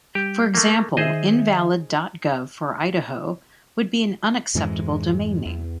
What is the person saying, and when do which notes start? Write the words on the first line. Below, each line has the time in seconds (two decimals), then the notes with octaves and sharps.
For example, invalid dot gov for Idaho would be an unacceptable domain name.
0.15 G3 G4 G6
0.55 A3 A#3
0.97 D#3 G#4 C5 D#5 E5
4.55 F2 G#2 E3 G#3
5.46 E2